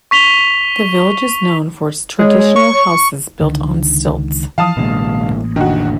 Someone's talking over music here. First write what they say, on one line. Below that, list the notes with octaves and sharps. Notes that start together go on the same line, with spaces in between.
The village is known for its traditional houses built on stilts.
C#6 B6 F7 G7
G#3 C#5
C#6
C#2 D3 D#3
E3 F3 F5 A5 D#6
A1 B2 D3 G#3 A#3
F1 D3 D#3 D4 F#4